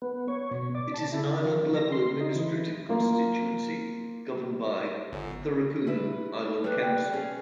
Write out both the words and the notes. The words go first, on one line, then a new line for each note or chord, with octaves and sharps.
It is an island-level administrative constituency governed by the Thuraakunu Island Council.
B3
C#5
B2
D5
A5
E4
F3
F3
A#6
C6
D#4
E3
A#3 F4
G1
E4 B4 E5
A4
G3 D4 B4 F#6
G5
C#4 G#4